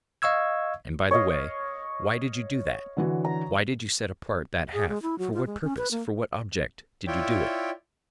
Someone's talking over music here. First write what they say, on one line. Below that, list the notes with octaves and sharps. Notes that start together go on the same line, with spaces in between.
And by the way, why did you do that--why did you set apart that half, for what purpose, for what object did you do it?
D#5 F5 C#6 E6 G#6
C#5 D#5 F5
D3 E3 F#4
A#5
G#4
G#3
E4
F#3
F4
G#3
C#4
B4
A#3
E4 F4 C#5 D5 E5 G5